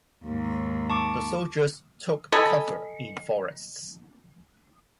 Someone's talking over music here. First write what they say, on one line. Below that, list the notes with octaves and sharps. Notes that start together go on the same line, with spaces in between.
The soldiers took cover in forests.
D#2 G#2
A5 C#6 D6
A4 D#5 G#5 B5